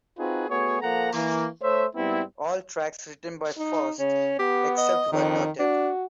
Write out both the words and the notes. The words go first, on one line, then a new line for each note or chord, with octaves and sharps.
All tracks written by Faust, except where noted.
C4 D#4 F4 F#4 G#4 B4
A3 B3 F#4 G#4 C#5
F3 A#3 A4 F#5 A#5
E3 A#3
A3 C5 C#5 E5
G#2 G3 B3 C4 E4
D#4
C#3 C#4
B3 G4
D#5
F2 D#3
D4 F#4